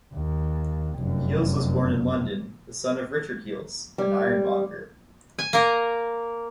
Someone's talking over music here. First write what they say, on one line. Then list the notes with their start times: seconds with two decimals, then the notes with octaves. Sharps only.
Heales was born in London, the son of Richard Heales, an ironmonger.
0.14 D#2
0.95 F1 F#2
3.98 G3
5.39 G#5
5.53 A#3 A#4